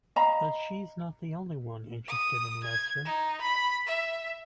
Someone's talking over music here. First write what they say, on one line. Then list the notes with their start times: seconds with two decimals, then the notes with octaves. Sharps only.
But she's not the only one interested in Lester.
0.16 D#5 F5 A#5 B5
2.08 D#6
2.63 G#6
3.05 D#4
3.41 B5
3.87 E5